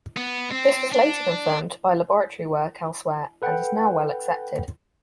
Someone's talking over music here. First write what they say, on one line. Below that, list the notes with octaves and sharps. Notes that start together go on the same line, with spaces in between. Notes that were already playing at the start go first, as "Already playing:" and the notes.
This was later confirmed by laboratory work elsewhere and is now well accepted.
B3
C4
D4
A4 B4 F#5 G5